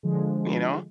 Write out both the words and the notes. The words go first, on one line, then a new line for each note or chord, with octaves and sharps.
you know?
D3 F3 G#3